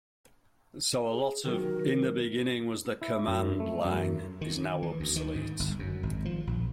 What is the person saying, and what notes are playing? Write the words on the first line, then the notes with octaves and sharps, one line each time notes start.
So a lot of "In the Beginning...was the Command Line" is now obsolete.
G#4
C3 D#3 F#3 A#4
E4
F#2
A3
F#2
D#3
E3
D2
D#3
G#2
G1
F#2
G#1
F3
A#1